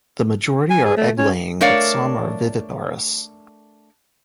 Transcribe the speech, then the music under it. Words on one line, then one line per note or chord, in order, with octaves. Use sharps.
The majority are egg-laying, but some are viviparous.
G#5
G#4
A3
C#4
A3 D4 A#4 C#5 D5 F5